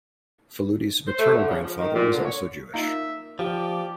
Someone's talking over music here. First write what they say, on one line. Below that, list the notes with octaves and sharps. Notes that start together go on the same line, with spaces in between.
Faludi's maternal grandfather was also Jewish.
C5
A3
D3
C#3
F3
D#3
A#2
D3
C#5
A#3 D#4 F4 E5
F3 G4 D5